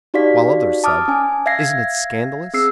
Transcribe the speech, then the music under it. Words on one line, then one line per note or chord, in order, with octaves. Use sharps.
While others said--"Isn't it scandalous!"
D#4 F#4 G4 D5 F5 B6
A5 D6 D#6 F6
C#4 G#5
E5 F5 G#6 A#6 C7
C4 G#4 E6 C7